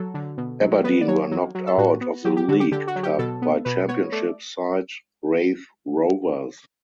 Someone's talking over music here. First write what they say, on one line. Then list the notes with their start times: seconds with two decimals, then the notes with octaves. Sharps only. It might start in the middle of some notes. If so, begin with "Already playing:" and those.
Aberdeen were knocked out of the League Cup by Championship side Raith Rovers.
Already playing: F#3 A4
0.14 D3
0.37 B2
0.61 F#3
0.84 B3 B4
1.01 D5
1.08 F#3 C#5
1.31 F#3
1.55 F#3
1.67 A4
1.78 A2 F#4
2.01 B3
2.25 F#3 G4
2.37 G4
2.48 D3 F#4
2.60 G4
2.72 D3 G4
2.87 F#4
2.96 F#3
3.03 G4
3.19 B2 A4
3.42 B3
3.65 B2 B4
3.88 B3 C#5
4.12 A3 D5